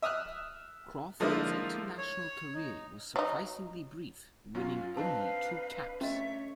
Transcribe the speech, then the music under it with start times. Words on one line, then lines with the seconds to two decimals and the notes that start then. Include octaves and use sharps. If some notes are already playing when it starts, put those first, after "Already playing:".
Crawford's international career was surprisingly brief, winning only two caps.
0.02 E5 D#6 F6 F#6
1.20 D3 F3 G#3 A#3 D#4 E4
1.98 C#5
2.54 D#4
3.16 F#3 D#4
4.55 F#2 F#3 C#4 F4
4.97 C4 D4 D#4 B4 F5 A5
6.01 A3 C#4 C#5 D#5 E5